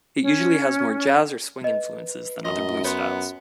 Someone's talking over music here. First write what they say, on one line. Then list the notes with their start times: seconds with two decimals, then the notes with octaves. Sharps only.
It usually has more jazz- or swing-influences than other blues styles.
0.22 C#4
1.64 B4 D#5
2.44 F#2 F4 D#5 C6
2.84 B3 C#5 C6